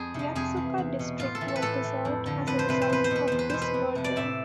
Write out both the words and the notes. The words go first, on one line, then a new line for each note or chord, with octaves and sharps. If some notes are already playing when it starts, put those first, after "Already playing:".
Yatsuka District was dissolved as a result of this merger.
Already playing: F2 G#4
C3 F3
F2 G#4
E3
E2
B2
A2 F4
A4
E3
A4
B4
A2 A4
E3
F2
D3 F3
F2 B4
C5
C3 F3 B4
C5
E2 B4
C5
B2 B4
E2 C5
B4
B2 C5
B4
F2
C3 F3
D5
A2 E5